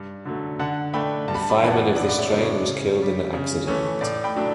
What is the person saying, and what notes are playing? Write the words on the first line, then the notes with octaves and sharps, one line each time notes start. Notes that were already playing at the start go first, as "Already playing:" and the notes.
The fireman of this train was killed in the accident.
Already playing: G2
D3 F#3 A3
D3 F#5 A5
A3 D4 G5 B5
G2 A5
B5
A5
B5
A5
E3 B3 B5
F#5 A5
F#2 D5 F#5
D5
C#5 E5
C#3 F#3 B3 D4
C#5
C#3
G3 C#4
C#3
E3 A3 C#4
A2 D5
G5 B5
F#3 A3 D4